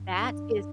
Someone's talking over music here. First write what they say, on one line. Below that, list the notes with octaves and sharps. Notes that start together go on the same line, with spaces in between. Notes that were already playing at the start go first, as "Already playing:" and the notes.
That is
Already playing: G2
D4